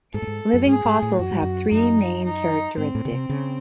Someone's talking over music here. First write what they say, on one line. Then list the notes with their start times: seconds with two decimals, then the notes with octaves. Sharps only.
Living fossils have three main characteristics.
0.14 G#2 A4
0.22 A2
0.27 G#2
0.53 F#2
0.67 G#2 G#4
0.85 G#2
1.02 A2
1.19 F#2 F#4
1.31 G#2
1.42 F#2
1.72 F#2 D#4
2.25 D#4
2.77 G#2 C4
2.95 A2
3.05 C#3
3.12 C3
3.29 C#3